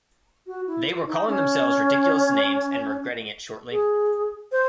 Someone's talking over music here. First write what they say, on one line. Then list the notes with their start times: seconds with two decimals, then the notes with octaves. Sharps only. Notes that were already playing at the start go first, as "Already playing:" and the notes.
They were calling themselves ridiculous names and regretting it shortly.
0.47 F#4
0.67 E4
1.07 D#4
1.27 C#4
3.71 G#4
4.52 C5